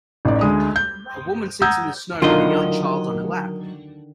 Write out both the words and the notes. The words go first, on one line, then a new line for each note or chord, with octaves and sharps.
A woman sits in the snow with a young child on her lap.
A1 D#4 D5
D2 G#3 D#6
G6
F#5 A#5 D#6 E6 G6 G#6
D3 D#3 F#3 F4 A#4 D#5 F5